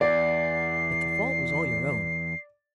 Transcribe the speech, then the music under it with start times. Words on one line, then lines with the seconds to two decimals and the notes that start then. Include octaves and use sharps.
But the fault was all your own.
0.01 E2 D5 C7